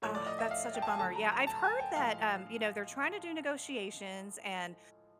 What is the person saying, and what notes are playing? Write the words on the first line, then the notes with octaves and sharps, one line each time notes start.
Ugh, that's such a bummer. Yeah, I've heard that, um, you know, they're trying to do negotiations, and
A2 F3 A3 C#5
D5
D#5
E5
F5
G5
A5
G#5
D3 F#3 A3 A5
A#5
A#5
A5
G#5
G5
A2 F3 G#3 F5